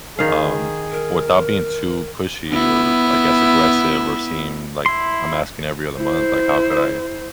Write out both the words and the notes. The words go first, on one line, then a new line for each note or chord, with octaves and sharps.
Um, without being too pushy or, I guess, aggressive or seem, like, I'm asking every other month, like, how could I
D#3 G#4 F5
A#4
B3 E4
E4 C6
E4 C5